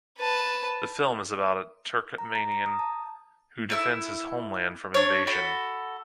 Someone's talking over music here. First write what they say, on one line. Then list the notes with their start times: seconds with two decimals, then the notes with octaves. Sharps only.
The film is about a Turkmenian who defends his homeland from invasion.
0.18 B4 A5
2.18 A#5
2.35 A#5
2.52 A#5
2.66 D#6
2.79 A5
3.70 A3 E4 E6
4.94 D4 C#5
5.27 F#4 A4 B5